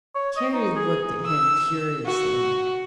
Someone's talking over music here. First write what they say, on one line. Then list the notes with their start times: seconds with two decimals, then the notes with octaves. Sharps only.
Carrie looked at him curiously.
0.15 C#5
0.36 D#5
0.54 D#4
0.76 G#4
1.26 E6
2.06 F#4